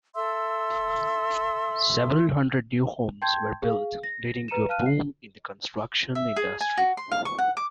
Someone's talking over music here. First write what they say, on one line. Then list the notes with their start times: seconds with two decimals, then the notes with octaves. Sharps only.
Several hundred new homes were built, leading to a boom in the construction industry.
0.15 A4 E5 C6 E6
3.22 G5 A5 C6 G6 G#6
3.62 G#4 F5
4.03 A#6
4.48 B4 A#5 C#7 D#7 E7
4.69 F5 A5 F6 F#6 D#7
4.86 C7
6.15 E5
6.36 G#4
6.61 G#5
6.78 F#4
6.97 C6
7.12 F5
7.25 C#6
7.39 F#5
7.57 D6